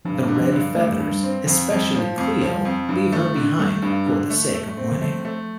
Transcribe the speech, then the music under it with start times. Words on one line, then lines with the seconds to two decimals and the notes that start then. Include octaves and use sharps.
The Red Feathers, especially Cleo, leave her behind for the sake of winning.
0.05 G2 F3
0.28 D3
0.40 F3
0.52 G2
0.76 G2 A3
1.00 G2
1.12 G3
1.23 C4
1.46 F2 F3
1.70 F2
1.82 G3
1.95 F3
2.17 F2 A3
2.42 F3
2.54 G3
2.65 F2
2.88 G2 F3
3.13 A3
3.36 D3
3.59 G3 A3
3.83 G2
4.06 D3
4.30 A3
4.54 A3
4.77 C4
4.91 D3
5.00 F3 A3
5.25 A3